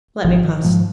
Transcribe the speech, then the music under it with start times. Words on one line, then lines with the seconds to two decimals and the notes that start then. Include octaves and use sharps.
Let me pass.
0.24 G#1 F3
0.45 D#3
0.64 G#2 F3